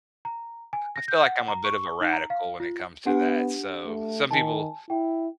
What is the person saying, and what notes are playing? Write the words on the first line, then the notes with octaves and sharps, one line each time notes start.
I feel like I'm a bit of a radical when it comes to that, so, some people
A#5
G#5
A#6
G6
F#5
A#5
C#6
D#4
A#5
F5
F4
B3 D4 G4 F#5
A3
D#3 G#5 A5
E4 G5